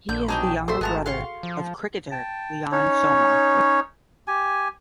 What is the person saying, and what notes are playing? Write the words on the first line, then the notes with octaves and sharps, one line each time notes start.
He is the younger brother of cricketer Leon Soma.
A#1 D3 G6
B2 F#3 D4 D#4 G5 G#5
A#2 A3 F#4 G#4 A4 C5 E5 C6
G#1 G#3 A3 B3 A5 A#5
G#4 F5 F#5 C6 C#6
F3
G5 A5
C#4 D#4 C#5
G4 G#5